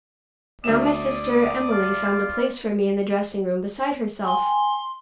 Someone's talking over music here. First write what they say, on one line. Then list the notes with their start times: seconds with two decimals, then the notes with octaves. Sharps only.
Now my sister Emilie found a place for me in the dressing-room, beside herself.
0.64 D2 D5 E5 D#6 E7
1.71 F4
4.24 G5 G#5 C6